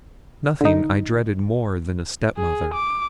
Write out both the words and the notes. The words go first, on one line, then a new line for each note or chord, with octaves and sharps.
Nothing I dreaded more than a step-mother.
D3 D#4
G#4
D6